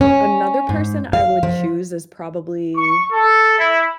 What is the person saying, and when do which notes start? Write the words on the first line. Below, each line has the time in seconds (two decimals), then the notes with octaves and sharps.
another person I would choose is probably
0.01 C#4
0.69 G#2
1.13 F5
1.43 F3
2.76 C#6
3.12 A4
3.59 E4